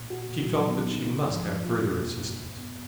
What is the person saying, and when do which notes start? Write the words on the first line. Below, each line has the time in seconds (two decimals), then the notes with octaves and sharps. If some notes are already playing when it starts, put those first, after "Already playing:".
She felt that she must have further assistance.
Already playing: A#2
0.10 F#4
0.29 A#2
0.48 F#3
0.67 B3
0.86 D#4
1.06 D#3
1.25 F3
1.45 F3
1.63 F4
1.83 B2
2.01 A#3
2.20 F#2
2.40 G#2
2.58 B3